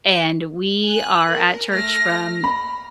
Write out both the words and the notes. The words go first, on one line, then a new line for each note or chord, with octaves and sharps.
and we are at church from
G#5 F#6
A#4
A3 F6 A#6
B5